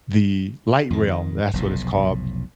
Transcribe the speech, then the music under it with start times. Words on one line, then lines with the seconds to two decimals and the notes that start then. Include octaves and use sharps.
the Light Rail that's what it's called,
0.90 F2 D#3
1.53 F1 B1 A2